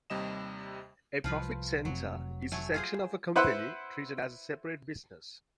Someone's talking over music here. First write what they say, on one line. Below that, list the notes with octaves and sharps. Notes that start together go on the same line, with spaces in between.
A profit center is a section of a company treated as a separate business.
D#2 C3 G3 D#5 E7
C2 F3 F4 B4
F1 C3 F#3
F#3 A3 G#5
F4 G#4 C5
E4 B4 C5 F#5 C6 E6